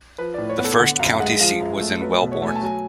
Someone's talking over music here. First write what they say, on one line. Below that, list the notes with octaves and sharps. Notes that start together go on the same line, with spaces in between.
The first county seat was in Wellborn.
F3 B4
A2 D5
C#5
B3
A4
D3 F#5
F#2 F5
G#3 F#5
F3 F5
F#2
A3
F#3 B4
B2
C#5
A3
G#5
A5
F#3 G#5